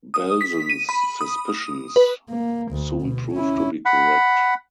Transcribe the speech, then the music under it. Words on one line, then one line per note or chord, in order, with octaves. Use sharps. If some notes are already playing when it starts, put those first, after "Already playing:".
Belzen's suspicions soon proved to be correct.
D#6
B6
D#7
B5
D#6
B4
A#3
D2
B2
C#4 E4
F#5 B5